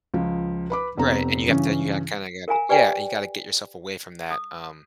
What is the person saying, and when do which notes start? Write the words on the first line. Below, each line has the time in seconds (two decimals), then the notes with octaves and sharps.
Right, and you have to you got kinda gotta, yeah. And you gotta get yourself away from that, um,
0.14 C#2 F3
0.70 B4 B5 D6
0.98 F1 B3 C4 A#5
1.47 G2 C#3 E3 C#4
2.48 A#4 F5 G#5 A#5
2.69 G4 B4 D5 G5 G#5 A#5
4.31 D#6